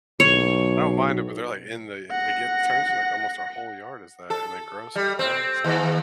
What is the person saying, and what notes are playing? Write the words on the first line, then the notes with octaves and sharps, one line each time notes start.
I don't mind it, but they're, like, in the they get turns in, like, almost our whole yard is that, and they grow so fast
B1 C#5
F#5 A#6
A4
G3
C4
D#2